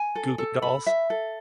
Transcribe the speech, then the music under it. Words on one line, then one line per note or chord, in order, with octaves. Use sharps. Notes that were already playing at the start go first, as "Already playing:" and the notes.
Goo Goo dolls.
Already playing: G#5
A4
A4
B5
E5
A4